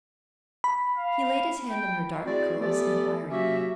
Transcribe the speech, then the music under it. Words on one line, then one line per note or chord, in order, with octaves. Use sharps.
He laid his hand on her dark curls inquiringly.
B5
F5
G5
A3 C4 E4 F#4 G#4 D5
E3 A3 B3 G4 A4 D5
F#3 A#3 C#4 F#4 G4 E5